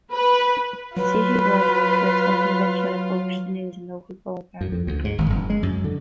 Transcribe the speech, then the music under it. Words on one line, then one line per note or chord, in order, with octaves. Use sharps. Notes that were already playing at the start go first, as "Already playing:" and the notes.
City is well known for its unconventional approach to news and local programming.
B4
F#3 F4 B4
F#2
F2
D2
G#2
G#1
F#1
G#3
F#2
D3